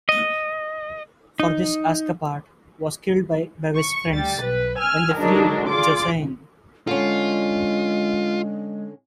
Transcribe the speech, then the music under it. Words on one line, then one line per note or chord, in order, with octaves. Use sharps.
For this Ascapart was killed by Bevis' friends when they freed Josiane.
D#5
D#4
C#6
D2 G3 A6
B1 B4
G#5 E6 F6
D3 F#3 G#3 D4 D#4 A#4
F4 G#4 D5 C6 D6
D3 G#3 C#4 F4